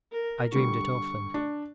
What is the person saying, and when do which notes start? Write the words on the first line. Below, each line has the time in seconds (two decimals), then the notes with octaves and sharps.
I dreamed it often.
0.12 A#4
0.52 D3 G3 C#6
1.34 D4